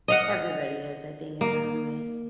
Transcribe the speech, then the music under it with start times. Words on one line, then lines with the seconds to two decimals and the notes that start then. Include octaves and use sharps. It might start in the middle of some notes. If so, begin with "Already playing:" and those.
Everybody has, I think, in their own ways.
0.08 D#5 F5 F#5
1.41 A#3